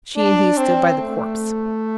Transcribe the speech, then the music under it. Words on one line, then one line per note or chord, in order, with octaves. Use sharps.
She and he stood by the corpse.
D4
C4
A3